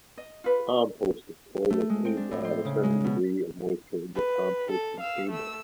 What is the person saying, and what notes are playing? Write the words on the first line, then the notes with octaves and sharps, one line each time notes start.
Composting toilets aim to have a certain degree of moisture in the composting chamber.
D#5
F4 B4
A3
G#3
C4
D4
A2
C5
C#3
G#3
B2
B4
A4
F5 E6
A3 E6